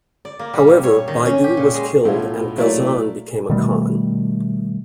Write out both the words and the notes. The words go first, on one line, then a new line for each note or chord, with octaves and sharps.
However, Baidu was killed and Ghazan became a khan.
D5
A#3
G3
A#2
C#5
D#3
C#4
G4
A#2
G#3
B1 A2 F4
F#3 A3 A#3 E4 D5
B2 D#3 G3 A3